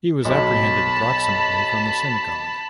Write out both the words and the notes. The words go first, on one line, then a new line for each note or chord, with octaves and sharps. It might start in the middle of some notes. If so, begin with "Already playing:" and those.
He was apprehended approximately from the synagogue.
B1 A5 B5